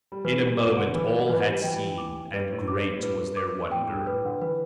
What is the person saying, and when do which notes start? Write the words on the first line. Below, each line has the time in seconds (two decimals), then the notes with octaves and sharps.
In a moment all had seen, and great was their wonder.
0.12 G3
0.24 E3 B4
0.42 G3
0.60 D6
0.65 B2
0.76 D3
0.94 E3 B4
1.11 G3
1.28 E3 B4
1.46 G3
1.64 E3 G5
1.74 G3
1.86 E3
1.98 D6
2.33 G2 B4
2.51 A2
2.68 G2 D6
2.86 G2
2.96 A2
3.03 G2 B4
3.37 D6
3.72 A2 G5
3.89 G2
4.07 A2 B4
4.25 D3
4.41 E3 B4